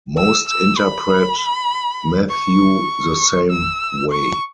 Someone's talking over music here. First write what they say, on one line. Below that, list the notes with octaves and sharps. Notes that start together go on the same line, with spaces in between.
Most interpret Matthew the same way.
E6
E6
B5
C#6
E6
C#6